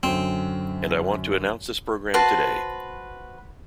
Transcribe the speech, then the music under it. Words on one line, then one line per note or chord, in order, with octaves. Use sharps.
And I want to announce this program today.
F#2 D3 C4
F#4 B4 C5 A5